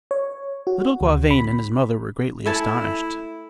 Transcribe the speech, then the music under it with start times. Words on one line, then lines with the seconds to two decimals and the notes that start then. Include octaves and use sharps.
Little Gauvain and his mother were greatly astonished.
0.11 C#5
0.67 F#4
1.01 D2
1.31 B5
2.46 A3 E4 G#5 A5